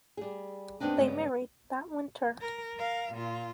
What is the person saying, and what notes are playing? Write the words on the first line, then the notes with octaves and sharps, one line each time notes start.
They married that winter.
G3 G#4
E2 D3 B3 C4 D4 D#4
G2 C#3 G#3 B3
A#4
A#4 F5
A#2 F4